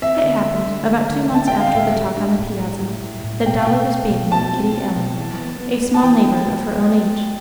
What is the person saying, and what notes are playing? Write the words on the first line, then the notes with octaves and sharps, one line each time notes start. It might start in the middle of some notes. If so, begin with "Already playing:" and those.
It happened, about two months after the talk on the piazza, that Dolly was bathing with Kitty Allen, a small neighbor of her own age.
C4 E5
D3
A3
D3
A3
D3
D3 A5
G5
D3
F5
A2 E5
G3
D4
A2
G3
A2
A2
A2
B2 G5
F5
B2 G5
A3
B2
B2 A5
C4
C4
B2
E3
B3
B3
B3
A5
E3 G5
D4
B3
B3